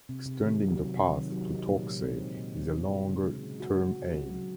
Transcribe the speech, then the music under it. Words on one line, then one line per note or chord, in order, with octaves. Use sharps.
Extending the path to Torksey is a longer term aim.
C3
C3
D#3
F#3
C3
C3
D#3
F#3
D#4
A#2
G#3
C4
D#4
A#2
G#3
C4
F#4
C#3
G#3
C#4
F#4
C#3
G#3
C#4
F#3